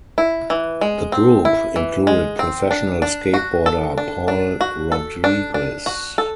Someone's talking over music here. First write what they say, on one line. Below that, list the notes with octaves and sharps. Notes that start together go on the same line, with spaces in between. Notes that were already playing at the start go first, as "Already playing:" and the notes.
The group included professional skateboarder Paul Rodriguez.
E4
E3
G#3
C4
E4
E3
G#3
C4
D4
D4
F#4
A4
D4
D4
F#4
A4
D4
D4
F#4
A4